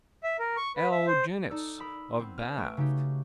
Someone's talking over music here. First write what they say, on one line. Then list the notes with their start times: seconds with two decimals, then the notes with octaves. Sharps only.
L. Jenyns, of Bath.
0.24 E5
0.39 A#4
0.57 C#6
0.76 B4
0.91 E5
1.07 C5
1.50 D#4 A4 D5 E6
1.78 A#4 B5 D#6 E6
2.19 B3 C4
2.38 B4 F6
2.57 A3 C#6 E6 D7
2.77 C#3 D#4 F#4 G4